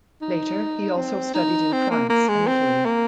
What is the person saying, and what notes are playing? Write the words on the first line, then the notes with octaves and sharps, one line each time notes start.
Later he also studied in France and Italy.
D#4
C4
D#4
C4
A#3
A#3
G#3
C4
A#3